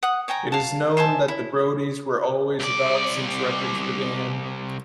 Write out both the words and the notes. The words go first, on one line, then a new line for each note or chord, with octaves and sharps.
It is known that the Brodies were always about since records began.
F#5 D#6
C#5 G5 G#5 A#5
F5 A5
C5 E5 G#5 A5
E4
C2 D5